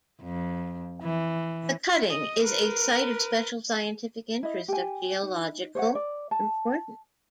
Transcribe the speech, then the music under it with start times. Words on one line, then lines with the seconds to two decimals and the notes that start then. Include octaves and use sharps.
The cutting is a Site of Special Scientific Interest of geological importance.
0.23 F2
1.03 E3
2.10 D#5
2.45 A#4 B4
4.43 E4 D#5
4.68 G4 G#5
5.23 D#4
5.75 C5 C#5 D#5 F#5
5.95 D5
6.31 A5